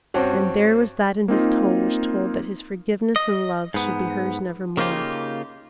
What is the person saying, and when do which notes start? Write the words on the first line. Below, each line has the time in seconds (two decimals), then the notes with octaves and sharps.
And there was that in his tone which told that his forgiveness and love should be hers nevermore.
0.14 G2 C4 C#4 F#4
1.28 A#3 C4 D#4 F4
3.16 D#5
3.74 G#2 B3
4.77 C#3 A#3 D#4 F4 G4